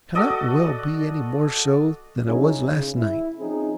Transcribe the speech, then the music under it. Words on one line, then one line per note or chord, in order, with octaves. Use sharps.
I cannot well be any more so than I was last night.
F#4 A4 D5 D#5
D3 F#3 C#4 D#4 E4 G#4
C#3
E4
F3 C4 C#4 D#4 G#4